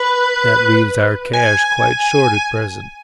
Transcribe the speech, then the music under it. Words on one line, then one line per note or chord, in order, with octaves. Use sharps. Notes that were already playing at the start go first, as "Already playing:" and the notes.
That leaves our cash quite short at present.
Already playing: B4
G#5